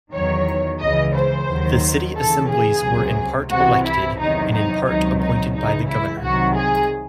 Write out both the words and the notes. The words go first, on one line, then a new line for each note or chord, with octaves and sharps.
The city assemblies were in part elected, and in part appointed by the governor.
E2 D#3 F#3 C#5
C#2 C#3 E3 D#5
C5
D#2 D#3 F#3
D#2 C#3 E3 A4
G#4
C#2 C3 F#3
C2 C3 E3 F#4
E4
E2 C3 D#3 F#3 D#4
D#4
C#2 C3 D#3 F#3 D#4
D#4
C#2 C#3 E3 D#4
E4
C2 C3 D#3 F#3 F#4
G#4